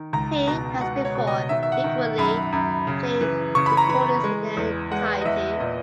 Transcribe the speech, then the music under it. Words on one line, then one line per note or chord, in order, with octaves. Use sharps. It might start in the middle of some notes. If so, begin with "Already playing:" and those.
He, as before, frequently played recordings in their entirety.
Already playing: D#3
C#2 A#5
B2 A#5
B2 F#5
C#5
B2
D#5
D#3 E5
E5
F#5
D#3
F#2 B5
F#2
C#3
E3
C#3 C#6
B5
A#5
E3 B5
G#3
E2
G#3 F#5
D#5
E2 E5
A#2 D#5